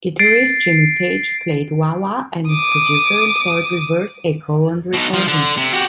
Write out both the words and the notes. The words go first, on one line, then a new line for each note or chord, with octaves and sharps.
Guitarist Jimmy Page played wah-wah and, as producer, employed reverse echo on the recording.
A6 C7 D7
D6 D#6
B2 D#4
F3
D3
C3
F#4 G4